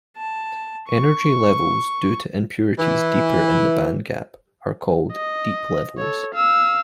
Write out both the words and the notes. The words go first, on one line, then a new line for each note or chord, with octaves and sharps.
Energy levels due to impurities deeper in the bandgap are called deep levels.
A5
C#6
E3
D#5
A4 C#5
F5 E6